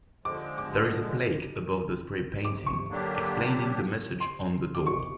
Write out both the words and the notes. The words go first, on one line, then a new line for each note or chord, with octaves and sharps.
There is a plaque above the spray-painting, explaining the message on the door.
D3 F3 G#3 D6
D6
D6
C#6
D3 F#3 A#3 D4 G4
C6
D6
C#6